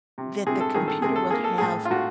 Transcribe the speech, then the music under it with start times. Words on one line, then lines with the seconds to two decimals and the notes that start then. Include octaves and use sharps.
that the computer will have
0.18 C3
0.46 C3 G#4
0.60 A4
0.75 D#3 G#4
0.88 A4
1.02 C3 G#4
1.16 A4
1.31 A#3 G#4
1.44 A4
1.58 A2 G#4
1.85 F4
1.90 A2 F#4